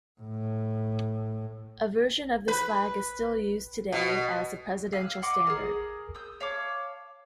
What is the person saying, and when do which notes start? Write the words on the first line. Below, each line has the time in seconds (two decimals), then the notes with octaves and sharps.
A version of this flag is still used today as the Presidential Standard.
0.21 A2
2.48 B4
3.92 B2
4.92 F5 G#5 E6 F#6
5.22 D#5 F#5 C6 D6
5.47 G#4 A#4
6.15 D#6 E6 G6
6.40 C#5 F5 A5 D6